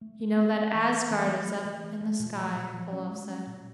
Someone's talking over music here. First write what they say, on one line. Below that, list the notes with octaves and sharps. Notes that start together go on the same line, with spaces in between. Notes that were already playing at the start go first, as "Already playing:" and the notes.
"You know that Asgard is up in the sky," Olaf said.
A3
A3
C4
C4
E3
C4
E3
A3
A3
E3
A3
A3
A#2
F3
A#2
F3
C#4
G#3
C#4
A#2